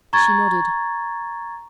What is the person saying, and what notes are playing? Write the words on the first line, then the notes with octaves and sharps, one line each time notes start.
She nodded.
A#5 C#6 G#6 A6